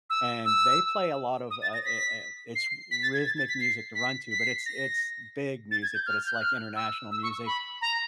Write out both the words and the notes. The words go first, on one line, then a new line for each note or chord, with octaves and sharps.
and they play a lot of, uh, eh, eh, eh it's rhythmic music to run to, but it's it's big music, but it's, like, international music,
E6
E6
D#6
A6
A#6
B6
C7
B6
A6
G#6
A6
A6
B6
C7
B6
B6
C7
B6
A#6
A6
G#6
G6
F6
G6
F#6
F6
E6
E6
C#6
B5
A#5